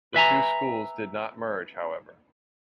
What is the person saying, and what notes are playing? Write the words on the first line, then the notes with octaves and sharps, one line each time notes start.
The two schools did not merge, however.
B4 E5 G#5 A#5